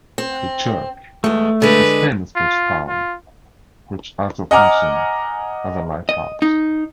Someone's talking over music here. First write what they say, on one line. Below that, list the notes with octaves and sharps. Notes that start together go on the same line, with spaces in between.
The church is famous for its tower which also functions as a lighthouse.
C4
E2 G#3 A3
D3 G#3 B4
F4
F4
D#5 F#5 G#5 A#5 D6 F6
D#5
D#4